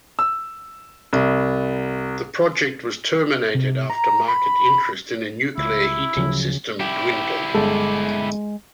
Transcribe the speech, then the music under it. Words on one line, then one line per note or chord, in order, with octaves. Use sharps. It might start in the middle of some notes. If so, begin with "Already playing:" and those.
The project was terminated after market interest in a nuclear heating system dwindled.
E6
C2
C3
A#5
B5
C#2 E4
D2 C#3 F3 F#3
E4 G4
G1 G#3 A4